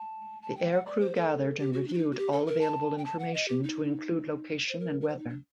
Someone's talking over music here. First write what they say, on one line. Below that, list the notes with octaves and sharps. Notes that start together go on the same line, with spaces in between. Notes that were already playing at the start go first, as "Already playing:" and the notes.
The aircrew gathered and reviewed all available information to include location and weather.
Already playing: A5
A5
G5
F#5
D5
C5
A4
G4
F#4
D4
F#4
D#4
F#4
G4
A4
A#4
A5
G5
A5
F#5
D#5
G4
D#4
C5
A#4
A#4
C5
D#4
D4